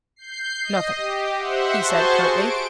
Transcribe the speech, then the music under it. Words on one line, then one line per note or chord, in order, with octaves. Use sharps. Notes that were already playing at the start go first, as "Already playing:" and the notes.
"Nothing," he said curtly.
G6 C7
D#5
G4
C5 E5 F#5
F#4 G#4 C5 A5 C6 C#6
D7